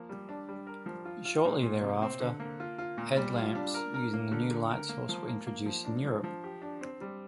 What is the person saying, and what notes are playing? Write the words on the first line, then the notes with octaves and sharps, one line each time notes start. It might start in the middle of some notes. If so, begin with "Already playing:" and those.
Shortly thereafter, headlamps using the new light source were introduced in Europe.
Already playing: F3 A#3
G3
D4
G3
A#4
F3
F4
F4
A#2
A#2
C3
C4
D3
A#3
F4
F4
A#2
G3
F4
D4
A#4
A#4
A#3
D3
D3
A#4
A#3
F3
A#3
A#3
F3
D4
F3
F3
G4
D4
C4
G3